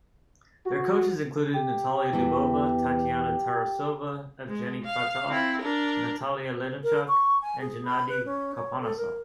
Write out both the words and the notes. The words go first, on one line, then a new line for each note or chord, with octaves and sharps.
Their coaches included Natalia Dubova, Tatiana Tarasova, Evgeni Platov, Natalia Linichuk and Gennadi Karponosov.
F#4
G4
E2 E3
G#3
F5
C4 E4
D4 A#4
A#4
C#6
G#5
G#4
B5
B4
C#4
C#5
A4
A#4